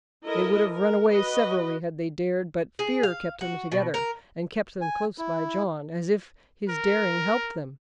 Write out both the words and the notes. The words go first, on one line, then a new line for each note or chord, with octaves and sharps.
They would have run away severally had they dared; but fear kept them together, and kept them close by John, as if his daring helped them.
E4 A4 A#4 D#5
A#4
F#4 B4 D#5
G#4
F5
F#4
B2
A#4
G#5
E4
A#4